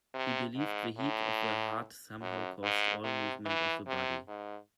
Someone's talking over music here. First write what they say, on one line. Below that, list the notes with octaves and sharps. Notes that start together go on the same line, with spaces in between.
He believed the heat of the heart somehow caused all movement of the body.
C3
G#2
A2
F#2
G#2
C3
E3
C3
G#2